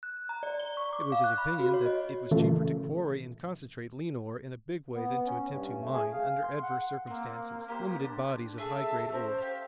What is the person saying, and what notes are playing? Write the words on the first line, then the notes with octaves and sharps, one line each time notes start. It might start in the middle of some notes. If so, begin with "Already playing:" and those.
It was his opinion that it was cheaper to quarry and concentrate lean ore in a big way than to attempt to mine, under adverse circumstances, limited bodies of high-grade ore.
F#6
A#5
D5
G7
C#6
D6
F5
F#6
B5
F#4
C#5
D#5
A#2 C#3 E3 A3
B3
C#4
G2
A3
G#4
F5
C6
F#5
A#3 C4 F5
B3 G4 C5
D4
A3 G#4 E5 A5
C#4 A#4 C5
G4 E5 F5